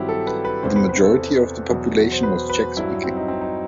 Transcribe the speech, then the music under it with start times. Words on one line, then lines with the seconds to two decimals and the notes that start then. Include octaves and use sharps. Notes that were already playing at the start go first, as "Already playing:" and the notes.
The majority of the population was Czech-speaking.
Already playing: G2 D#3 F#3 C4 E4 G4
0.09 A4
0.27 B4
0.45 B4
0.63 E2 C3 E3 C5
0.76 B4
0.89 B4
1.03 A4
1.70 E2 B2 F#3
2.12 C5
2.23 B4
2.50 B4
2.77 G2 F#3 E4
3.04 C4
3.16 D#4
3.28 C4
3.41 D#4